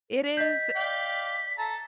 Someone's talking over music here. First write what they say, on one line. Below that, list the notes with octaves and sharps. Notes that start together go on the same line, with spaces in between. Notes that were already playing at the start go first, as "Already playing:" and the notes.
It is
D#5 G6 B6
D5 F5 G5
A4 A#5 A6